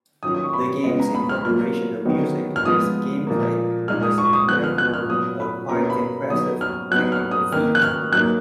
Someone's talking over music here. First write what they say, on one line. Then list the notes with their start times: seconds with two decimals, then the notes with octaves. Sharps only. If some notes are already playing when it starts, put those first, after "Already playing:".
The game's incorporation of music with gameplay was therefore a quite impressive technical feat.
0.23 D#3 F#3 C#4 F4 D#6
0.35 D#6
0.44 C#6
0.53 B5
0.84 C#3 G#3 B3 F4 D#5
1.00 A#5
1.15 B5
1.29 F6
1.45 F#3 A#3 F4 F6
2.05 D#3 F#3 B3 D#4
2.56 F6
2.66 F3 G#3 B3 F4 D#6
3.27 A#2 F3 A#3
3.88 A#2 G#3 D#4 F6
4.03 D#6
4.18 C#6
4.33 D#6
4.48 F3 B3 F4 F#6
4.64 F6
4.78 F#6
4.94 F6
5.09 A#2 F#3 B3 F4 D#6
5.40 B5
5.69 B2 A#3 C#4 F4 A#5
5.90 B5
6.30 F#3 B3 D#4 D#6
6.61 F6
6.91 F#3 B3 D#4 F#6
7.12 F6
7.31 D#6
7.52 D#3 A#3 D#4 F6
7.75 F#6
7.82 F6
8.12 F#3 A#3 D#4 F#6